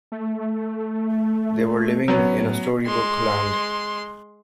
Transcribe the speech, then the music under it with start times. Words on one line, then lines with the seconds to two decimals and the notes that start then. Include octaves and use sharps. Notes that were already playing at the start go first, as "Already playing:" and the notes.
They were living in a storybook land.
0.12 A3
2.08 F#3 B3 C#4
2.38 A2
2.86 G#3 C6